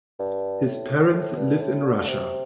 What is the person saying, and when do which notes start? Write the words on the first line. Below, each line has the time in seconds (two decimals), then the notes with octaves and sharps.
His parents live in Russia.
0.19 G2
0.66 A2
1.13 A2
1.37 G2
1.61 A2
1.84 D3
2.08 C3